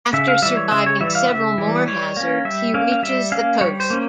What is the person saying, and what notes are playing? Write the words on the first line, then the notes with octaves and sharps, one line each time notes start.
After surviving several more hazards, he reaches the coast.
C#3 E5
F5
E3 G3 E5
C#5
C#3 E5
C#5
E3 G3 E5
F5
C#3 E5
E3 G3
G3 C#5
A#3 C#4
G3 E5
A#3 C#4 F5
F5
G3 E5
A#3 C#4 F5
G3 C#5
C5
A#3 C#4